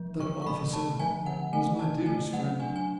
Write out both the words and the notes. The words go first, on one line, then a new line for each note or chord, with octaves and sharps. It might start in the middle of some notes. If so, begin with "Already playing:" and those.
That officer was my dearest friend.
Already playing: F3
D3 C#6
C#6
A3 B5
D3 A5
F3 G#5
D3 F#5
A3 G#5
D3 A5
A3 G#5
F#3 F#5
D4 G#5
G#5